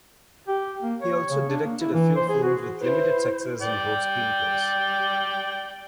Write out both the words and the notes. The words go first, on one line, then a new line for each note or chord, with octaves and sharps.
He also directed a few films with limited success, and wrote screenplays.
G4
A#3
C#5
C#3
D4
A#3
E4
E3
C5
G#4
F#4
E4 B4 C5
D5 G5